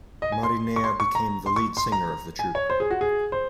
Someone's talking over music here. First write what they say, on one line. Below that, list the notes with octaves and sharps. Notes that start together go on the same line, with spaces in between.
Marinella became the lead singer of the troupe.
D#5
G#5
C6
C#6
C6
C#6
A#5
C6
C#6
C6
A#5
G#5
C#5
C5
G#4
F#4
G#4
C5